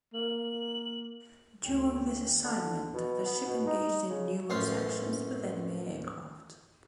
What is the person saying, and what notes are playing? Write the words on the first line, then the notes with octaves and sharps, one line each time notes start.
During this assignment, the ship engaged in numerous actions with enemy aircraft.
A#3 F#7
D2 C#4 G5
D3
B2
B3
B2
D#4
C#3
A1 F#2 C#4 F4 C5 F5